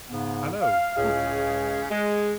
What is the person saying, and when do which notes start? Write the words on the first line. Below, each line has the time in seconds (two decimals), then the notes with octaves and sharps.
Hallo! Whoop!
0.10 G#2 C#3 B3
0.61 F5
0.96 C#2 A2 C#3 G#3 G#4 F5
1.91 G#3